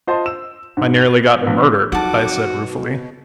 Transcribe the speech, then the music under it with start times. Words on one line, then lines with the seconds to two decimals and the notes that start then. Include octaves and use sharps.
"I nearly got murdered," I said ruefully.
0.07 F4 C5 D#5 A5 C6
0.26 E6 E7
0.77 G#2
1.01 F7
1.42 A#1 B3
1.92 F2 F#3 D#4 F#4 F#5 A5 D6
2.45 B2